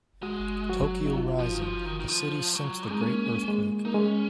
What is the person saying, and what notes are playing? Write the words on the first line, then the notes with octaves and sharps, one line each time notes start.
Tokyo Rising: The City Since the Great Earthquake.
G#3 F#4
F#3 F#4
D#4
F4
F3
D#3
F3
D#3
D#3
F3
F#3
G#3 D#4
A#3 C#4
G#3
A#3 D#4
G#3 C#4